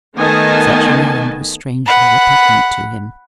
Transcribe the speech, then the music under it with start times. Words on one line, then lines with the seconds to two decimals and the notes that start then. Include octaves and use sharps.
Such an errand was strangely repugnant to him.
0.16 D#3 A3 B3 D#5 G#5 A5
1.86 F#5 B5